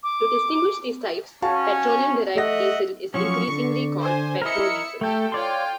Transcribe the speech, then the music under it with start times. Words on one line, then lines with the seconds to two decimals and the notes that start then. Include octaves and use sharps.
To distinguish these types, petroleum-derived diesel is increasingly called petrodiesel.
0.03 D6
1.42 C#4 F#4 F5 A5
2.35 A3 D#5 E5 F#5 A#6
3.14 F3 F#3 C#4 C#6
3.48 D3
4.00 C5 G#5
4.42 E4 A#4 D#5 E5 C#7
5.01 A3 G4 A4 G5 G6
5.32 F4 C#5 D5 G5 C6